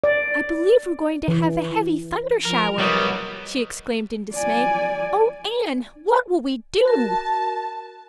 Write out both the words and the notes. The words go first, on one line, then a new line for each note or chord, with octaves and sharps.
"I believe we're going to have a heavy thunder-shower," she exclaimed in dismay, "Oh, Anne, what will we do?"
D5
E3
F3 A#4
F#3 G3 B3 A#4 D#5
D5 G#5
F#4 A#4 A5